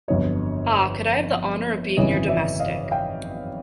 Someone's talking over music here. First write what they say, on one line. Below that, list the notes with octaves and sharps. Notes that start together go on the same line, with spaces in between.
Ah, could I have the honour of being your domestic!
G1 F2 D3 F#3 C#5 D#5
G#1 F#2 C#3 E3 C#5 D#5
D5 E5
D#5 F5
F5 G5